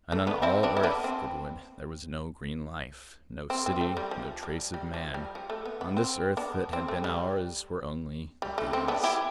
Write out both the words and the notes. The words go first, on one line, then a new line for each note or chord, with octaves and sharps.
And on all Earth, Goodwin, there was no green life, no city, no trace of man. On this Earth that had been ours were only--These.
A3
B3 D4
C4 E4
B3 D4
E4
B3 D4
C4
C4
C4
A3
G3
F3
G3
G3
F3
G3
F3
A3
B3
B3
C4
B3 D4
C4
A3
G3
G3
A3
C4
B3 D4
E4 G4